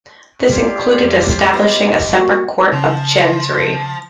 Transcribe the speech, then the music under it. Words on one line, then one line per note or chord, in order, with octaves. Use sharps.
This included establishing a separate Court of Chancery.
C4 F4 G4 C#5 D5
F2 G3
B3 E4 D#5 F5
G3 A#3 F#4
C#3 F3